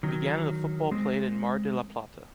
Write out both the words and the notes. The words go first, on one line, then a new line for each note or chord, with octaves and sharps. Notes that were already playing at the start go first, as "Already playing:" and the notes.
He began in the football played in Mar de la Plata.
D#3 F#3
G#3 C4